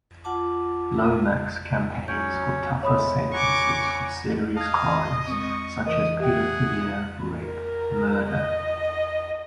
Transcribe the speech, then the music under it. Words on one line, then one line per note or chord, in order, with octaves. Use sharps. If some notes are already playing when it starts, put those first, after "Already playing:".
Lomax campaigns for tougher sentences for serious crimes such as paedophilia, rape and murder.
F4 F#5 A5 D6
F#3 C#4 C#5 G6
G#2 G#3 A3 C#5 B5 D#6
F#5 G#5 A#5 C#6 D6
D#5 F5 A5 G#6
G#3 C4 C#6
E3 A#4 D#5 D#6
G4 G#4 E5 F#5 G5
A#4
D#5